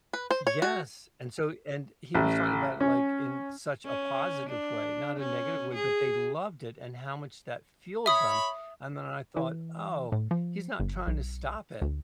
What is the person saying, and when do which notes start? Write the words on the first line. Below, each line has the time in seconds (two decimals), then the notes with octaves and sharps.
Yes, and so and he was talking about it, like, in such a positive way, not a negative way, but they loved it and how much that fueled them, and then I thought, "Oh, he's not trying to stop it,
0.13 B4
0.31 C5
0.47 C#5
0.62 F#4
2.14 A1
2.81 C#4
3.85 C#4
4.49 D4
5.20 C#4
5.74 G#4
8.06 C#5 E5 B5 D#6
9.37 E3
10.12 A2
10.31 F3
10.80 G1
11.07 B1
11.82 D2